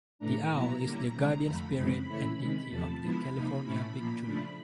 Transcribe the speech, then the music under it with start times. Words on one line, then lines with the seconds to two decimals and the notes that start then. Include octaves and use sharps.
The owl is the guardian spirit and deity of the California big tree.
0.19 A2 E3 A3 D4 A#5
0.50 A#2 F#3 B3 E4
0.81 D3 G3 A#3 C#4 E4
1.13 C3 D#3 G#3
1.44 F2 D3 F3 A3 B5
1.75 F#2 C#3 E3 G#3 C4 B5
2.07 C#3 E3 A3 C#4 E4
2.38 C3 D#3 G#3
2.69 E2 C3 F3 A3 A5
3.01 D3 F3 G#3 B3 E4 B5
3.32 C3 F3 A#3 D#4
3.63 A2 E3 A3 C#4 E4 B5
3.95 A#2 F3 A#3
4.26 C#3 F3 A3 D4